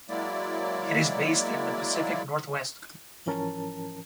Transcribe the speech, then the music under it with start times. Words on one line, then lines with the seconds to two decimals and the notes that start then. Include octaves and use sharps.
It is based in the Pacific Northwest.
0.09 F#3 G#3 A#3 E4 D5
3.26 G#2 E3 F3 C#4 A#4 A5